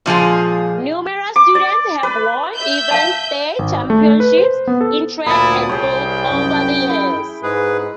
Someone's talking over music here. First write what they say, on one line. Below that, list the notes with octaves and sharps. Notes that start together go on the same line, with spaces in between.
Numerous students have won event state championships in track and field over the years.
A#2 F3 G#3 G#4
D6
D5
B4
E5 G6
F5 A5
G#1
A3
B4
C5
B3
A4
D2 A#2 E4 A5 B5 D#6
C2 G3 G#4 C#5 G5
F#2
E4
G#2 G#4 B4